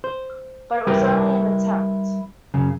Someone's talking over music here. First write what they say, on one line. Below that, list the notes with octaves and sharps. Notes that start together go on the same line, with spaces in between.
But it was only an attempt.
C5
G3 E4 G4 A#4 B4
F#2 C#3